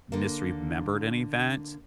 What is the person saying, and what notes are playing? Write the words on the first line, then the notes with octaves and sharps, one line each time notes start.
misremembered an event,
D3 A#3